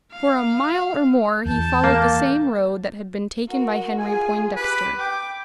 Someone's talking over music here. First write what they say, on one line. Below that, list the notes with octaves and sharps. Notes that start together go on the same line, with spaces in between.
For a mile or more he followed the same road, that had been taken by Henry Poindexter.
F5
E2 A5 G6
A#3
F#4 A#4
F4 G#4 G#5
G4 B4 D6
G5 D6